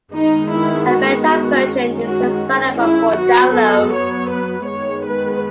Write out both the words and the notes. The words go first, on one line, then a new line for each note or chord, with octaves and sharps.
A beta version is available for download.
D#3 G#3 B3 D#4
E4
F#4
F#4
D#3 G#3 C#4
F#4
E4
F#3 B3 F#4
A4
C#5
B4
D#3 G#3 B3 C#5
B4